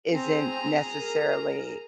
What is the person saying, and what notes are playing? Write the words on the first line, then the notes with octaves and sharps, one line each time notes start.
isn't necessarily
C4 G#4 A#5
A#4